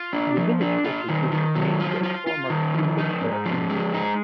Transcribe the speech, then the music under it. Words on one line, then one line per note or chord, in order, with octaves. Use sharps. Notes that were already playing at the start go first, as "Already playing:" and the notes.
The village also gives its name to a former Cambridgeshire hundred.
Already playing: F4
D4
F3
D4
F4
D#3
D#3
F#3
F4
F4
F4
D#3
F3
D#4
G#2
F3
G#3
D#4